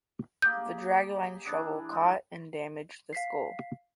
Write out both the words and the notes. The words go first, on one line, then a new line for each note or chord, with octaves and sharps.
The drag line’s shovel caught and damaged the skull.
A#3 G4 G#4 G6
E3 D4 G#4
G#3 D#4 A4
F5 B6 C7